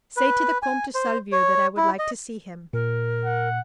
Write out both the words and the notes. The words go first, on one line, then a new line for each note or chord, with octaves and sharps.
"Say to the Comte de Salvieux that I would like to see him."
B4
G#5
C5
C#5
E4
D#5
A#2 A#4
F#5